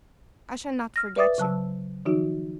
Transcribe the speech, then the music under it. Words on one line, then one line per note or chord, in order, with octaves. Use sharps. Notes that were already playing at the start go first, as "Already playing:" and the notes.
I shall not forget you.
F6 A#6
B4 D5 E5 D6 D#6 A6
C#3 F#3 A5 E6
D#3 F3 D#4 F#4